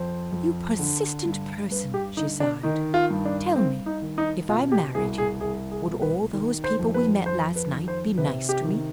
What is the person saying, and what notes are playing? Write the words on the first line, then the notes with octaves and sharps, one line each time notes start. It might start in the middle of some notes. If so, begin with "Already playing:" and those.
"You persistent person!" she sighed, "Tell me, if I married you would all those people we met last night be nice to me?"
Already playing: F2 C5
F2
D3
G2
G2 B4
G4
D3 D#4
D4
D#3 D#4
F4
G2
D4
G2 C4
D#4
D#3
D#4
B2 F4
G4
C2 G#4
G#4
C2 G#4
G#4
B2
B4
D#3
C5
F2
B4
F2 C5
B4
D#3
C5
C3 B4
G4
D#3